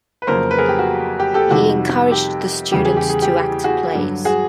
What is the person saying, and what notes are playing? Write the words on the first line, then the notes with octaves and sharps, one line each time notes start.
He encouraged the students to act plays.
B4
F2 C#3 F#3 A#3 A#4 C5
B4
G#4 A#4
G4
F#4
G4
G4 A4
F2 C3 D#3 G3 F#4
G4
E2 C#3 E3 G3 G4
G#4
G4
G#4
G4
F#4 G#4
G2 D3 F#3
F#4 G#4